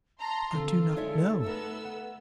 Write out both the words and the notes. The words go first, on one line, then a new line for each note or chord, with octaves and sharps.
"I do not know."
A5 A#5 C6
D3 C4 F4 A4
G#3 D#4 C#5 E5
A3 B3 A#4 E6
F#5